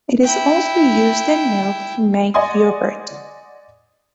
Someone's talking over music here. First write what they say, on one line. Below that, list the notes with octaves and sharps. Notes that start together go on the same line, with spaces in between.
It is also used in milk to make yogurt.
E4 G5
D5 D#5 F#5 G#5 C6 D#6